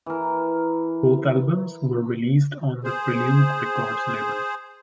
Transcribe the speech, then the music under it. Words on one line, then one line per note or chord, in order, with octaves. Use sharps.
Both albums were released on the Prelude Records label.
E3 A#4
G#4 C5